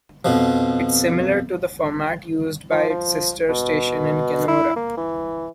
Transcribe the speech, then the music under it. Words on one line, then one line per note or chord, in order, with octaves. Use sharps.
It's similar to the format used by its sister station in Kenora.
F2 B2 F3
F3
F3
B2
E4
A#3
E3